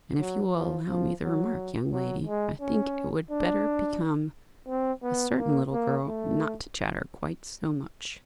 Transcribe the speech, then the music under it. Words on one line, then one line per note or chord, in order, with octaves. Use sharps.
"And, if you will allow me the remark, young lady, I think it would better become a certain little girl, not to chatter quite so much!"
F#3
F3
F3
F#3
F#3
G#3
C#4
D4
C4
B3
A#3
A#3
A3